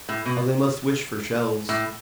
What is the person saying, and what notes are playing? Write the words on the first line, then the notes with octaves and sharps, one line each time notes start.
"How they must wish for shells!"
A2
B2
A2